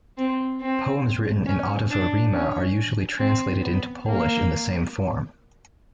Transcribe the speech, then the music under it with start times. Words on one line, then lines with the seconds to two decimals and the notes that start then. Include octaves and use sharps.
Poems written in ottava rima are usually translated into Polish in the same form.
0.17 C4
0.61 C4
1.47 C#4
1.91 D4
2.33 C#4
3.19 C4
3.62 B3
4.06 A#3